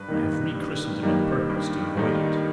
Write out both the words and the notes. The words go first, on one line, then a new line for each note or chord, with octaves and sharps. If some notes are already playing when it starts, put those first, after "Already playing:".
I have re-christened him on purpose to avoid it.
Already playing: G2 B4
D#3 G3 A#3 D#4
G2
D#3 G3 A#3 D#4
G2
D#3 G3 A#3 D#4